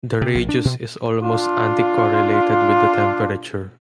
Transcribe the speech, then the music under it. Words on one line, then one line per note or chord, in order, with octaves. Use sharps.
The radius is almost anti-correlated with the temperature.
C3
A#1
D4
B2
D4 F4